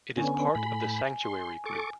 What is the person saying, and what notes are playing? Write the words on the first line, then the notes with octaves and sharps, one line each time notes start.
It is part of the Sanctuary Group.
D3 B3 C#4 G#5
A2 B5
C6
A4 C#6 D6